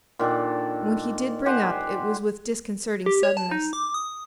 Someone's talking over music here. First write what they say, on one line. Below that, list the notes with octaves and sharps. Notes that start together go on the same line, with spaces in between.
When he did bring up it was with disconcerting suddenness.
A#2 D#3 D4 A4
G4 C5 F#5 G#5
G4
C#5
A5
D#4
D6
D#6